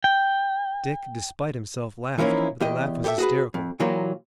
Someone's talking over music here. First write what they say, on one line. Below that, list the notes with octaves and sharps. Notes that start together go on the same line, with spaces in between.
Dick, despite himself, laughed, but the laugh was hysterical.
G5
E3 F3 A#3 C#4 D#4 E4
E2 G4 D#5
G4 A4 C#5 E5
F#4 G#4 B4
F2
A#2 E3 F#3 A#3 F4 G4